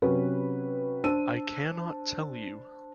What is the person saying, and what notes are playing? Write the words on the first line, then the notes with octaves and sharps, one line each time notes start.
I cannot tell you.
C3 F#3 C#4 B4
D4 C5 E6 D#7